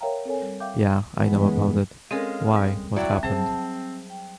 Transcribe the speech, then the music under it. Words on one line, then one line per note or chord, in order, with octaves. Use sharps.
Ya, I know about it. Why what happened?
A#4 C#5 E5 F5 G5 A#5
C4 A4 A#4 C#5 G#5
G3
E5 F5 G5 D6 G6
A#2
F#2 C#3 E3 G#3 B3
G#3 C4 C#4 A4 A#4 F5
G3
F#3 E4 F#4 D5 E5 G5 D6
F#3 C4 G#4 C5 A5
G5